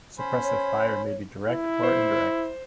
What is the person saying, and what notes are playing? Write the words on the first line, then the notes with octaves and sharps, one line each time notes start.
Suppressive fire may be direct or indirect.
C#4 C5 B5
C#5
E4
C5